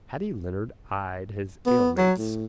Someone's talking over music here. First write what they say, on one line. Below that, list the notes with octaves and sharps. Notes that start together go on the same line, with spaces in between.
Paddy Leonard eyed his alemates.
B3
F#3
A2